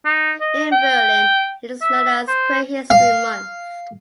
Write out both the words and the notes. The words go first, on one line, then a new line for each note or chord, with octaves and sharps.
In Berlin, It is known as Queer History Month.
D#4
D#5
G5
E5
C5
F5